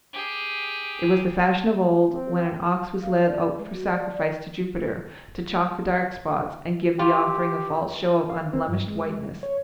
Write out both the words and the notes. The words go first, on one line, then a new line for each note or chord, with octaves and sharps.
It was the fashion of old, when an ox was led out for sacrifice to Jupiter, to chalk the dark spots, and give the offering a false show of unblemished whiteness.
G4 G#4
C4
F5
D5
G#3
F#4
D5
D5
F4 G4
F5
C4
G2
G#3
C#5